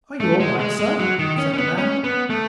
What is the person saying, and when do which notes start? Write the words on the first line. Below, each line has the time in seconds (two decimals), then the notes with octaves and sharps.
"Are you all right, sir?" said the man.
0.20 A3
0.40 G#3
0.60 G#3
0.80 G#3
0.99 F#3
1.19 D#3
1.38 C#4
1.53 C#4
1.58 B3
1.78 C#4
2.04 B3
2.30 A3